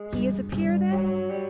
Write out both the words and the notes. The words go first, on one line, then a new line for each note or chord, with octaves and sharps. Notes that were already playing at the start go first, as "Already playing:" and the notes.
"He is a peer, then?"
Already playing: G#3
G2
G2
F#3
G3